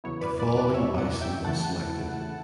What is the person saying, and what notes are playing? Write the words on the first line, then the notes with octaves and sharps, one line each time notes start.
The following Bison was selected.
E2 C#3 F#3 B3 E4 C#5
B4 D5
B4 D5
B4 D5
C#5 E5
D5 F#5
E5 G5
E2 C#3 E3 A3 E4 F#5 A5